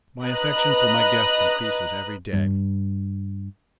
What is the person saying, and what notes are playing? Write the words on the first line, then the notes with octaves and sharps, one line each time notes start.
My affection for my guest increases every day.
B4 D#5 A#5 F#6
G2